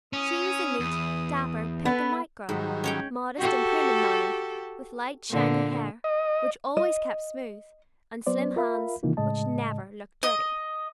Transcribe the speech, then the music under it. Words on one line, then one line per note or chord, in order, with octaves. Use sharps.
She was a neat, dapper, pink-and-white-girl, modest and prim in manner, with light shiny hair, which always kept smooth, and slim hands, which never looked dirty.
C#4 E4 D#6
E2
B3 A4 B4
G#2 D#3 F#3 G3
C#4 C#5 G5
F#4 G4 A4
A#2 D3
D#5
D#5
F#3 B3 C5 D5
F4 A#4 E5 F5 B5
C3 D#3 E3 A#3 D#4 F4
A2 C#3 G#3 D#5 A5
D#5